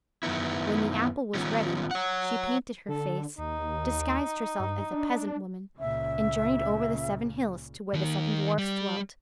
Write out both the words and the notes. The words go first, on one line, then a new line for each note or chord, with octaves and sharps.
When the apple was ready, she painted her face, disguised herself as a peasant-woman, and journeyed over the seven hills to where the seven dwarfs dwelt.
F#2 D#3 B3 E4
D#3 G3 B3 C#4 F4
C#5 F#5
D3 A4
D#2 D#4
G2
D4
C#2 A#2 C#3 E5
D#2 D#3
G3